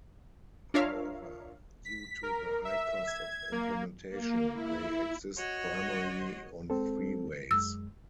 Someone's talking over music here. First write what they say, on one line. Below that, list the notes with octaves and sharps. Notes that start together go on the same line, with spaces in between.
However, due to the high cost of implementation, they exist primarily on freeways.
D4 F4 A#4 C#5 E5 F5
B6
A#4
E5
G#6
A#3
A#3
E4
F#4 C#5 D#5
G#3 C4 A4
F#2 G#3 E6